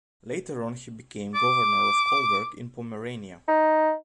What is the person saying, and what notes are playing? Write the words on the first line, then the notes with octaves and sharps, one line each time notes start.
Later on he became Governor of Kolberg in Pomerania.
D6
D#4